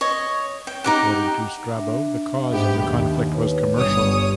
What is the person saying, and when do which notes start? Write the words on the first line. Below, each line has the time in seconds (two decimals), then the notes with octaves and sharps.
According to Strabo, the cause of the conflict was commercial.
0.01 C#5 D#5
0.67 G5
0.84 D#4 G4 F#5
1.74 D4 E5
2.50 G#2 B3 G4
2.80 D#2
3.34 B4 C#5
3.75 G1 G4 C#5 D#6